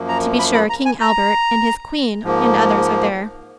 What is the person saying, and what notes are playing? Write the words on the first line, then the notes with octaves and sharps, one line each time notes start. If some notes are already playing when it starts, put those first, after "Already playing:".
To be sure King Albert and his queen and others are there.
Already playing: F#2 F3 A#3
A#5
B5
B5
A#5
G#5
A#5
G#2 F3 A#3